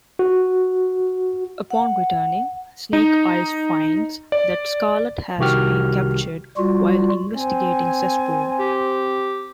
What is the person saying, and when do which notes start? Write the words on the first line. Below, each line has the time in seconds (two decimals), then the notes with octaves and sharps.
Upon returning, Snake Eyes finds that Scarlett has been captured while investigating Cesspool.
0.19 F#4
1.71 F#5
2.93 D#4
4.32 D5
5.38 C2 D#3 F#4 G4 F6
6.57 G3 F4 F#4
7.36 C4 G#5
8.59 G4